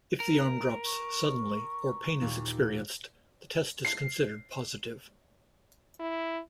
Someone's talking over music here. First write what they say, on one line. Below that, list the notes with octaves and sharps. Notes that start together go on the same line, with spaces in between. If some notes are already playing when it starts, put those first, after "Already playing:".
If the arm drops suddenly or pain is experienced, the test is considered positive.
A#4
C#6
D#2 A#2
C7
E4